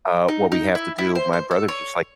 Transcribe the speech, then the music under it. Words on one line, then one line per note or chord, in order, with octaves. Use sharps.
"Uh, what we have to do" my brother's just like,
D#4
D#4
E4
E4
C5
C5
A4
C#5